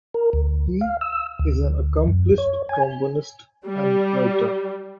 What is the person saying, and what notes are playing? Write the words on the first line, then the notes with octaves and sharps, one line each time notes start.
He is an accomplished trombonist and writer.
A#4
D2
F5
E6
D2
F#2
C#5
G#5
G3